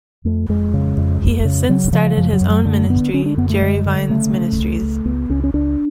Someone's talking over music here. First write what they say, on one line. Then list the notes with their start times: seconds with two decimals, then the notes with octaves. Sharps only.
He has since started his own ministry, Jerry Vines Ministries.
0.25 F2 A3
0.49 F2 G#3
0.74 C#3
0.97 F2
1.21 F2
1.45 C#3
1.69 C#3 F#3
1.93 C#3 F3
2.17 F#2 F3
2.33 F#3
2.41 F#2
2.50 F#3
2.65 D3 A3
2.89 D3 B3
3.13 D3 C#4
3.26 D4
3.37 F#2 B3
3.50 A3
3.61 D3 G#3
3.86 D3
4.09 C#3 A3
4.33 C#3
4.58 C#2
4.82 C#2
5.05 C#2 B3
5.29 C#2 C#4
5.44 C#4
5.54 C#2 D4